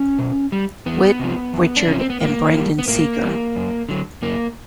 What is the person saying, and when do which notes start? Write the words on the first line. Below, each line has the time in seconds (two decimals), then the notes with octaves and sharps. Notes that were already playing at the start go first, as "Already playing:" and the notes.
Witt, Richard and Brendan Segar.
Already playing: C#4
0.18 B2
0.52 G3
0.86 E2 B3
1.20 C3 F3
1.53 E2
1.77 D4
1.86 C3 F3 C#4
1.99 C4
2.10 B3
2.21 A2 A#3
2.54 E3 G3
2.79 B3
2.88 A2 A#3
3.21 E3 G3
3.56 F#2
3.89 D3 F#3
4.22 F#2 A#3